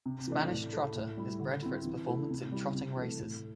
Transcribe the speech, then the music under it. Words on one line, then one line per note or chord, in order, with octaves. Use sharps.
The Spanish Trotter is bred for performance in trotting races.
C3
E3 A3 D4
A2
A3 E4
A2
G3 E4
D3
C4 E4
E3
A3 E4
C3
G3 E4
C3
E3 A3
A2